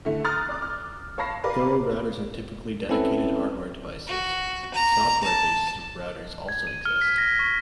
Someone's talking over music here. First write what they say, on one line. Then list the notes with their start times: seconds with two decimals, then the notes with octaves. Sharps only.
Though routers are typically dedicated hardware devices, software-based routers also exist.
0.05 D3 A3 E4
0.25 A#5 C6 D#6 F6 F#6 A6
0.49 D5 D6
0.62 F6
1.18 C#5 F5 A5 B5 A#6 C7
1.44 G4 A#4 B4 D5 F5
2.89 C4 C#4 E4 A4 B4 E5
4.07 F#4
4.74 A#5
5.24 A5
6.49 G#6
6.67 D#7
6.85 F6
7.01 B6
7.18 A#6
7.39 C#6